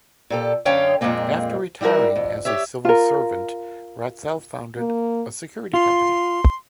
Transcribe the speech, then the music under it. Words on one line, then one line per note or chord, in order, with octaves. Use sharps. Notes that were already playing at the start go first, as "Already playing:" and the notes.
After retiring as a civil servant Ratzel founded a security company.
A#2 G4 A4
F#2 D3 C#4 C#5 F5 G5
F2 A#2 G#3 A#3 C4
G3 E4 F#4 G4 A#4
F2
G4 C#5 E5
F4 A#4
A#3
F4 C6